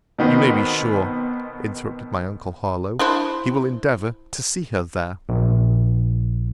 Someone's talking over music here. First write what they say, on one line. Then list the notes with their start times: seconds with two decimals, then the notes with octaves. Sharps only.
You may be sure, interrupted my uncle Harlowe, he will endeavour to see her there.
0.18 B2 D#3 B3 C4
2.99 D4 E4 C5
5.29 A#1